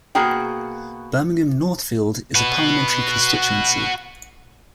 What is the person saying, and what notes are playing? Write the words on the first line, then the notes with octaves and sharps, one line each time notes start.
Birmingham Northfield is a parliamentary constituency.
B2 A#3 F#4 G#4 G5
F#4 B4